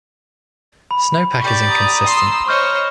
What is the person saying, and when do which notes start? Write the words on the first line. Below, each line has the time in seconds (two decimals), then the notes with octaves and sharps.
Snowpack is inconsistent.
0.91 B5
1.40 G4 D5 C#6
1.68 A#5 D#6
2.06 C6 E6
2.48 C5 C#5 D#5 C#6 F6 G6